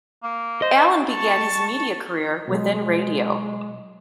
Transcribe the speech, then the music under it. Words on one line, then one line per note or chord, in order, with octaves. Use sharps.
Alan began his media career within radio.
A#3
C5 D#5
A5 C#6
B2 F#3 G#3